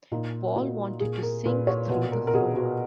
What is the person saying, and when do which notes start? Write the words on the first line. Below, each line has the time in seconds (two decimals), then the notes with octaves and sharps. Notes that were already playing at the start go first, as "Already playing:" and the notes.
Paul wanted to sink through the floor.
0.12 A#2 D#4
0.56 A#2 F#4
1.00 A#2 G#4
1.23 A#4
1.45 A#2 B4
1.67 C#5
1.89 B2 B4
2.12 A#4
2.27 A#4
2.34 B2 G#4
2.56 F#4